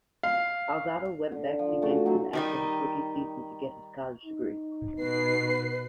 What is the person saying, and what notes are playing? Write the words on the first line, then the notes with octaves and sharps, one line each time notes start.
Alzado went back to Yankton after his rookie season to get his college degree.
F5
D3
F3
E3 A3 F#4 A5
D3 F#3 G#3 C4
D#3 G3 D#4
D#4
B2 B4 C7